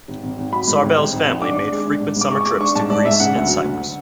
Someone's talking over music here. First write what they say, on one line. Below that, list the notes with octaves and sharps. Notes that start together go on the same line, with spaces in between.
Sarbel's family made frequent summer trips to Greece and Cyprus.
G#1
G#1
G#1
F#3 B5
G#2
G#1
G#1
G#1
G#1
D4 D6
D4
G#3
D4
G#2
G#2 D6
G#3 C#6
C#6
G#3 D6
D4 C#6
G#2 A5
G#2 D5
G#2 E5
C#3 F#5
D2
F#3
D2